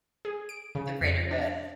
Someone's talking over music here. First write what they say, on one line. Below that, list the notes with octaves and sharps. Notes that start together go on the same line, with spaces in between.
the greater good.
G#4
D7
C#3
F2
D4